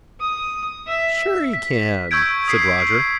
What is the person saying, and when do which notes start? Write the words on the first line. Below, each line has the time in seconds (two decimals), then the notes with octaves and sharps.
"Sure you can," said Roger.
0.21 D#6
0.88 E5
1.53 B6
2.11 C#6 E6 G6 G#6 D7
2.48 D#6 B6 C7 D7
2.80 C7